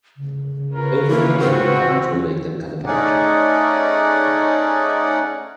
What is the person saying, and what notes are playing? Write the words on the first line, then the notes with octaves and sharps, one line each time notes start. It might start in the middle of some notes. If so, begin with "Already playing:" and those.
Over-cooking the pods will make them come apart.
C#3
C#4 F4 A#4 B4
A#3 E4
C4 F#4
A3 C#4 D#4 G#4 D5 F#5